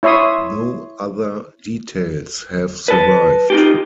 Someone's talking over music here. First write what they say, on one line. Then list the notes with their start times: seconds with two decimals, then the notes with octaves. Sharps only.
No other details have survived.
0.03 E4 C#5 E5 C6 D#6
2.88 B4 A5
3.50 D#4 F4 G4